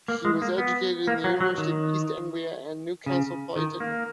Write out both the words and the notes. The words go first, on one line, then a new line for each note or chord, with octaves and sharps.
He was educated at the University of East Anglia and Newcastle Polytechnic.
A#3
G#3
A#3
B3
A#3
F#3
F#3
D#3
C#3
D#3
A#3